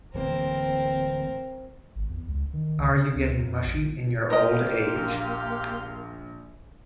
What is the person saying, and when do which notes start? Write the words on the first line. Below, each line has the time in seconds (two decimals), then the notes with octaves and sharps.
Are you getting mushy in your old age?
0.14 D1 E3 A#3 C4 A#4
1.96 G#1
2.09 E2
2.28 C#2
2.53 D#3
2.78 C#2
2.92 C3
3.15 D2
3.41 F2
3.65 A#1
4.30 A#3 G4 A#4 D#5 C6 F6
4.96 A#1